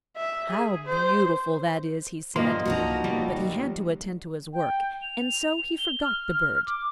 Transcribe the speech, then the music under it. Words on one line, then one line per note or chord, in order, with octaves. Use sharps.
"How beautiful that is!" he said; but he had to attend to his work, and so he forgot the bird.
E5
G#4
C5
G2 B2 F3 A#3 D#5 C6
C2 B2 F3 D#4 F#4 A#5
D#2 G3
G5
F7
G7
F6
D6